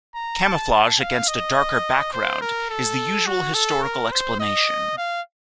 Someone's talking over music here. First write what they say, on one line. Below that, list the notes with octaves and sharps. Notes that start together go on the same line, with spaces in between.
Camouflage against a darker background is the usual historical explanation.
A#5
A5
A5
F5
D#5
C5
A#4
A4
F#4
A4
A#4
C5
D#5
F5